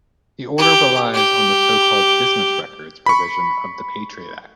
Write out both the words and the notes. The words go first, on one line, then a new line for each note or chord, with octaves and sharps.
The order relies on the so-called "business records" provision of the Patriot Act.
G4
G4
B5 C#6